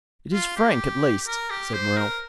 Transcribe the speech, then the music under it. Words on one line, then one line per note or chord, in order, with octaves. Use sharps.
"It is frank, at least," said Morrel.
F4
G4
A#4
G4
C5
A#4